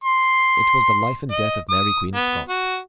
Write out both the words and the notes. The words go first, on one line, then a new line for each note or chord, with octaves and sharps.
It was the life and death of Mary Queen of Scots.
C6
D#5
D#6
B3
F#4